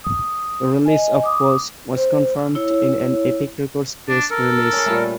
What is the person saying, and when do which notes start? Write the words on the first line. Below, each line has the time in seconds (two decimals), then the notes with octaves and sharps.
The release of "Pose" was confirmed in an Epic Records press release.
0.04 D#6
0.86 D#5 G#5
1.23 D6 D#6
1.96 C5
2.55 E4 C#5
4.09 D4
4.31 A4 A#4
4.73 C#4 G#4
4.86 A#2 G3 A3